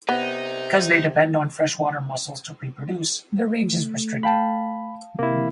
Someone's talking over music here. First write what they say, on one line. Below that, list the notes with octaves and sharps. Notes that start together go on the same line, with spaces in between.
Because they depend on freshwater mussels to reproduce, their range is restricted.
C3 B3 D#4
A3
F5 G5 A5 B5
C3 A#3 E4